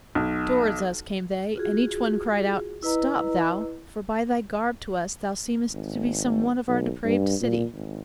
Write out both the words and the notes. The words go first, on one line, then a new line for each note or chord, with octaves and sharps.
Towards us came they, and each one cried out: "Stop, thou; for by thy garb to us thou seemest To be some one of our depraved city."
B1
F4 F#4 G#4
E4 B4 D#5 A#5
G#1
B1
G2
A#2
G#1